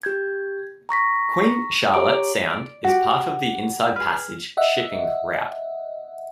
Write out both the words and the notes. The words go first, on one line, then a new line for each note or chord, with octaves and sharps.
Queen Charlotte Sound is part of the Inside Passage shipping route.
G4 G6 G#6
A#5 C#6 A#6 B6
G4 C#5 A#5 D6 D7
D5
F#4 G4 F#5
G#4 B4 F6
D#5 E5 F#5